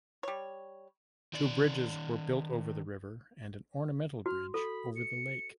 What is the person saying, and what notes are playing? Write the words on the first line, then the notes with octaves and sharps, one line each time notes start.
Two bridges were built over the river and an ornamental bridge over the lake.
G3 C#5
D#3 D5
F#4 F6
A4 B5
C#7